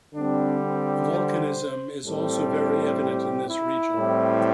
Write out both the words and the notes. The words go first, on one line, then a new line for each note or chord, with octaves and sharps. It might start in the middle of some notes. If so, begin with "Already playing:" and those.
Volcanism is also very evident in this region.
D3 G3 C4 D4
C4
C5
A2 G3 C4 A4
G4
E4
A2 G3 C4